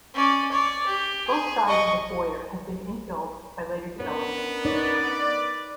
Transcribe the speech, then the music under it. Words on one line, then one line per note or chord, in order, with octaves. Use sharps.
Both sides of the foyer have been infilled by later development.
C#4 D5
C#5 D5
G4
G#4
D#5 C#6
B3 C#4 D4 A#4 C#5
D#4 B4 C#5 D5